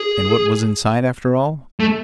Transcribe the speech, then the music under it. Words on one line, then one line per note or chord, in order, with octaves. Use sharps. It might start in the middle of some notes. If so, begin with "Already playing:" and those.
And what was inside after all?
Already playing: G#4
A3